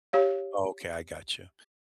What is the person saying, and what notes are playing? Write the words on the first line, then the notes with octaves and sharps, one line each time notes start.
Okay, I gotcha,
G4 C#5 F5